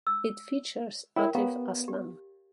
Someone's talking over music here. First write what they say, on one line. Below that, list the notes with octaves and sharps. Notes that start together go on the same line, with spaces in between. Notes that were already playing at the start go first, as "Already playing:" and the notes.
It features Atif Aslam.
E6
E4 A#4 C#5 G5
B3 G4 F5 A#5
G4